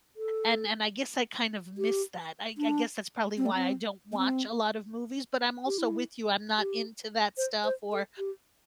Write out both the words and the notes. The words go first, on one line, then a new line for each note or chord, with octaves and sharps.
and and I guess I kind of missed that. I I guess that's probably why I don't watch a lot of movies, but I'm also with you, I'm not into that stuff or
A4
G4
D4
C4
A3
C4
A3
C4
G4
E4
G4
C5
C5
A4
G4